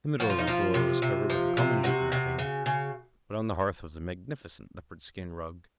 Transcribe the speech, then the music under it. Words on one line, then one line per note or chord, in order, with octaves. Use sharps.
The middle of the floor was covered with a common jute matting, but on the hearth was a magnificent leopard-skin rug.
F3 F#4
F4
D#4
F3 F4
C3
C3
F3
C3
C3 F#4
C3
C#3
C#3